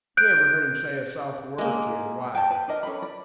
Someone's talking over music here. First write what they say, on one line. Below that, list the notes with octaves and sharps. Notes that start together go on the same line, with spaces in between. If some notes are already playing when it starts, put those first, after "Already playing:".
Who ever heard him say a soft word to his wife?
F#6 G6 D7
G#3 A#3
G5 A5
B4 C5
D4 A#4 D#5
C#4 A4 B4 B5
D5 B5